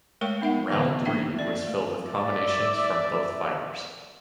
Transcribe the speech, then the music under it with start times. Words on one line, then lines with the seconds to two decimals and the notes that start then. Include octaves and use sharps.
Round three was filled with combinations from both fighters.
0.21 G#3 A3 A#4 C#5 G5 C#6
0.41 B3 D#4 E5 F#5
0.70 D3 E3 B3 B4 C5
1.05 A#3 D4 E5 G5
1.39 C4 D5
1.67 A3
2.07 D5 E5